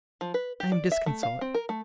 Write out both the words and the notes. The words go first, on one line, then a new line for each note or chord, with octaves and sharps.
I am disconsolate.
F3
B4
G4
D5
E5
A3
F5
C4
A#4
A3